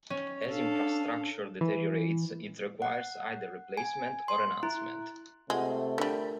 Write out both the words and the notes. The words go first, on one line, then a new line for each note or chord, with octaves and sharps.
As infrastructure deteriorates, it requires either replacement or enhancement.
C#4
D4 A4 F5
E3
F#5
G#5
C6
E4
C3 G#3 A3 F4 F#5
D3 G3 A#4